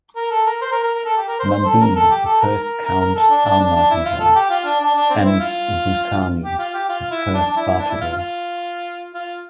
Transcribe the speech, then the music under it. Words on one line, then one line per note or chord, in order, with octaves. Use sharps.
Mandini the first Count Almaviva, and Bussani the first Bartolo.
A#4
A4
A#4
C5
A#4
A#4
A#4
A4
G4
A#4
C5
C5
A4
A#4
A4
G4
A4
A#4
A#4
A#4
A#4
A4
D4
D4
D4
D4
E4
F4
A4
G4
F4
D4
D4
D4
C4
E4
F4
G4
F4
G4
F4
E4
D4
D4
E4
E4
D4
E4
F4
F4
F4